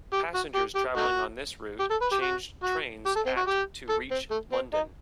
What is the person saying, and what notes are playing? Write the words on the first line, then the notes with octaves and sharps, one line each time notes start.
Passengers travelling on this route changed trains at to reach London.
G4
F#4
G4
G4
A3 D#4 F#4
G4
A4
B4
G4
F#4
F#4
G4
A4
C4
F#4
G4
A4
C4
A3
C4
D#4